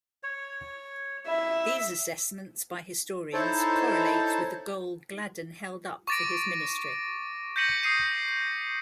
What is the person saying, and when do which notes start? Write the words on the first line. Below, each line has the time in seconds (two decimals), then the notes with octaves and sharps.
These assessments by historians correlate with the goal Gladden held up for his ministry.
0.23 C#5
1.27 E4 E5
3.33 D#4 E4 A4 C5 C#5 A5
6.07 C#6 D6 A6 A#6 D7
7.56 G6 A#6 B6 C#7 D#7 F#7
7.83 D#6 C7 D#7